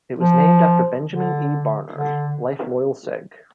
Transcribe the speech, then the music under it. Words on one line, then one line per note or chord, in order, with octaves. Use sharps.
It was named after Benjamin E. Barnard, life loyal Sig.
F3
D3
D3